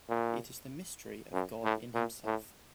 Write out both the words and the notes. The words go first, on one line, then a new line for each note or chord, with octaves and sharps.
It is the mystery of God in himself.
A#2
F#2
A2
A#2
A2